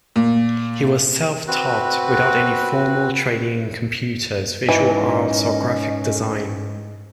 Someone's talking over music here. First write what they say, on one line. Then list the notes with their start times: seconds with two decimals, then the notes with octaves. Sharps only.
He was self-taught, without any formal training in computers, visual arts, or graphic design.
0.16 A#2
1.47 C4 F#4 B4
4.69 G#2 E3 C#4 D#4 D#5 A5